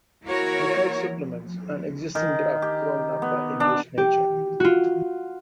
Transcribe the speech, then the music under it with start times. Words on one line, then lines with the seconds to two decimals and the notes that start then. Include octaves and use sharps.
The code supplements an existing draft drawn up by English Nature.
0.25 A#3 E4 F#4 A#4 C#5
2.15 D#3
2.62 G4
3.22 B3
3.60 D4
3.98 G4
4.60 F4 F#4